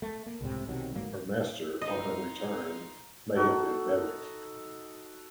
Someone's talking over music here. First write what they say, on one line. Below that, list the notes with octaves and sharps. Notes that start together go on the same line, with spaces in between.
Her master on her return may have been Bewick.
A3
A#3
C#2 A2 C3
B1 C3 D#3 F#3
D2 G#2 F#3 A#3
D#4 F4 D#5
D#4 F#4 A4